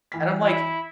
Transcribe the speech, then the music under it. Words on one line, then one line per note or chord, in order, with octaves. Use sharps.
and I'm like,
E3 B6
E4